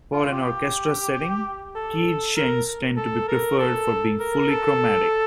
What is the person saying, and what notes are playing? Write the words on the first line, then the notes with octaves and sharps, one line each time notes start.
For an orchestra setting, keyed shengs tend to be preferred for being fully chromatic.
F4
G4
A4
A#4
A4
A#4
A4
A#4
A4